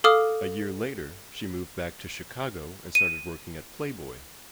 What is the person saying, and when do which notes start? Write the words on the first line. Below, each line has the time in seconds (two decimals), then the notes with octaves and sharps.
A year later, she moved back to Chicago and started working at "Playboy".
0.04 A4 F5 D6 D#6 F6
2.95 D#7